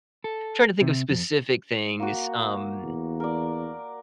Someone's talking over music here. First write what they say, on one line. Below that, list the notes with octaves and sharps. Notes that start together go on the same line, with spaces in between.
trying to think of specific things, um
A4
C3
F2
A#3 F#4
E2
A#4 D5